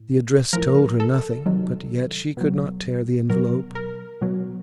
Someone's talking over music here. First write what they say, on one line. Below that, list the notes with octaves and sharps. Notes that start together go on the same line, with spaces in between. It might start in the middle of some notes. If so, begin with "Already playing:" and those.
The address told her nothing, but yet she could not tear the envelope.
Already playing: A2
A2 F3 A#4
A4
C3 D#3 F#3
B2 F#3
B2 F#3 A#4
A#4
B2 F#3